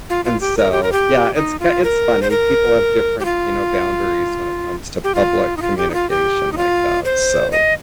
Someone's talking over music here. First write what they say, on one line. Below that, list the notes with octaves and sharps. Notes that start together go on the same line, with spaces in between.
And so, yeah, it's k it's funny, people have different, you know, boundaries when it comes to public communication like that, so.
F4
F4
G4
A#4
G4
A#4
G4
D#4
F4
A#4
C5
A#4
G4
F4
G4
F4
D#4
F4
G4
D#4
F4
G4
D#4
F4
C5
D#5